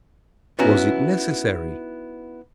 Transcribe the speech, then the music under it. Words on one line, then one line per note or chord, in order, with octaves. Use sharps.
Was it necessary?
B3 C#4 D#4 E4 F#4